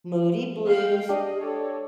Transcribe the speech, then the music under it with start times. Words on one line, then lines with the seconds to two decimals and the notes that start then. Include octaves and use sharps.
Moody Blues.
0.66 F5 G5
1.09 D4 G4 D#5
1.39 A4 C#5 D5